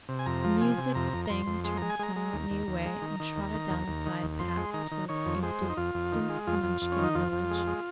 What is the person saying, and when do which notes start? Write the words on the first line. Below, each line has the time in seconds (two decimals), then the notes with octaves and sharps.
The music thing turned silently away and trotted down a side path, toward a distant Munchkin village.
0.09 C3
0.19 G#5
0.26 F2 A#5
0.44 F3
0.61 C3 G#5
0.78 C3
0.95 F2 A#5
1.13 F2
1.25 A#5
1.29 F2 C6
1.46 F2
1.64 G#3 C6
1.77 G#3 A#5
1.90 G#5
1.99 G#3 A#5
2.16 G#3
2.33 D#2
2.50 D#2
2.67 D#2
2.85 G#3
3.02 D#3
3.20 D#3
3.36 D#2
3.54 D#3
3.70 D#2
3.88 D#2
4.06 D#3
4.22 D#2
4.39 F2 C6
4.57 G#3
4.74 D#3 A#5
4.91 D#3
5.09 D#3 C#5
5.26 F2
5.43 G#3 C5
5.61 F2
5.70 D#4
5.77 F2 F4
5.94 F2
6.12 D#3
6.29 G#3
6.47 F2 F4
6.64 F2
6.82 F2
6.92 C#4
6.99 D#3
7.04 D#4
7.15 F2 F4
7.32 F2
7.51 G#3
7.67 G#3